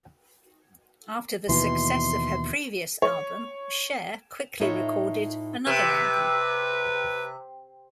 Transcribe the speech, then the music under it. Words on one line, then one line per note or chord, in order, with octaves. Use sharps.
After the success of her previous album, Cher quickly recorded another album.
D#2 B2 E3 C6
C#5
A2 D#4 F4 C#5 E5
C3 B4